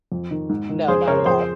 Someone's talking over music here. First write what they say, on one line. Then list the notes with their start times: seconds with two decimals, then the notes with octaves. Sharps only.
No, not at all.
0.12 F2
0.31 D#3
0.50 G#2
0.69 D#3
0.88 F2 G#4 C5
1.07 C#3 A#4 C#5
1.26 F2 G#4 C5